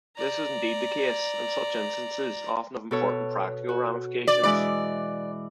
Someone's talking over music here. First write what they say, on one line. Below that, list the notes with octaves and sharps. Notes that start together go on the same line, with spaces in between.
This is indeed the case, and such instances often have important practical ramifications.
D5 A#5
B2 A4 C#5
F#4
D5
E3 G#3 E4 D5